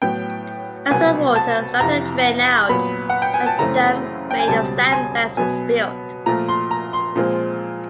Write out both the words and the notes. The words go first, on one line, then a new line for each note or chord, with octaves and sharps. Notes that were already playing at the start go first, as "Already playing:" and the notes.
As the water started to drain out, a dam made of sandbags was built.
A2 F#3 B3 G5
C2 B2 F#3 B3 G#5
A5
F2 C3 E3 A#5
A#2 F#3 B3 B5
F#5
G5
G#5
A5
F#2 C#3 E3 A3 C4 A#5
G5
G#5
C#2 B2 G3 C4 A5
G#5
B2 F#3 B3 G#5
A#2 F3 A3 A#5
C6
A#5
C6
A#2 F3 G#3 C4